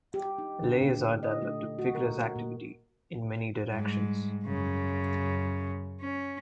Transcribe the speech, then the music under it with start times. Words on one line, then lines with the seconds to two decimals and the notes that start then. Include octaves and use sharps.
Eleazar developed a vigorous activity in many directions.
0.14 G4
0.38 D#4
0.63 D3
0.82 A#2
1.23 D#5
1.42 A3
1.79 F#4
1.95 A#4
2.36 A#2
3.72 G#2 G3
4.43 F#2 C#3
6.00 C#4